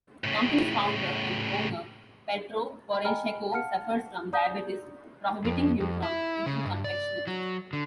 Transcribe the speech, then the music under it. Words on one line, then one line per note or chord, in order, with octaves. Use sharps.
Company's founder and owner Petro Poroshenko suffers from diabetes prohibiting him from eating confectionery.
A2 C#3
D#5 G5 G#5 A#5 B5 F6
F5 F#5 A5 F6 C#7
D5 A#5 D#6 G6
F2
F2
E4
C#3
G2
D5
F#3
D3